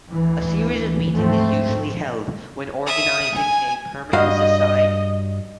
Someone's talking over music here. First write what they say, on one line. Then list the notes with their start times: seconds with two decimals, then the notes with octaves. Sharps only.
A series of meetings is usually held when organizing a permanent society.
0.11 D2 E3
1.12 G#2 F3 A3 C4
2.86 E5 D#6
3.34 G#5
4.13 G2 F#4 D#5 F5